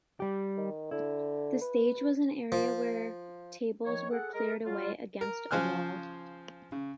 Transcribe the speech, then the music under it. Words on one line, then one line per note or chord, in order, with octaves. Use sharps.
The stage was an area where tables were cleared away against a wall.
G3 G4
D#3
D3 E4
B4
F3
D#3 F3 C#5
G#4 A4 F#5
G#3 G#4 A#4
F#3 G3 F4
A#4
C#3 F3 C5 G#5 F6 F#6
C#3